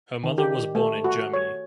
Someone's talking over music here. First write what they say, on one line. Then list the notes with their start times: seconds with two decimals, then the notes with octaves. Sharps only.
Her mother was born in Germany.
0.23 D#3
0.38 G4
0.75 A3
1.04 F#4
1.34 C#5